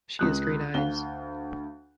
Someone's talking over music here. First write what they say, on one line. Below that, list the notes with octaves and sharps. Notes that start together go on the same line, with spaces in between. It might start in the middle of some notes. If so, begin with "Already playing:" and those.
She has green eyes.
C#2 D#6 F#6
D2 F5 G7